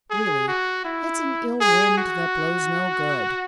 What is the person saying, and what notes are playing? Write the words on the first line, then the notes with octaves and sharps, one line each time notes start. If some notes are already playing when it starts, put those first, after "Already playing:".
Really, it's an ill wind that blows no good!
G#4
F#4
E4
G#4
F#4